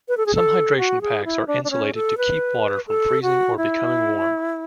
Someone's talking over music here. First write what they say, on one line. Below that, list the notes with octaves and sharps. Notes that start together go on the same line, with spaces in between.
Some hydration packs are insulated to keep water from freezing or becoming warm.
B4
A4
G#4
A4
F#4
G#4
E4
D4
D4
C#4
A4
B4
A4
F#4
E4